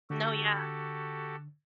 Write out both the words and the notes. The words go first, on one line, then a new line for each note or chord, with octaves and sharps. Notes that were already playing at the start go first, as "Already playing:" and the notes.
No, yeah.
D3 F#4 G4 A4